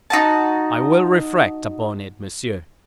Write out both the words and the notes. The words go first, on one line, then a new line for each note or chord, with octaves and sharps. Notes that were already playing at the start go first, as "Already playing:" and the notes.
"I will reflect upon it, monsieur."
D#4 F#4 A5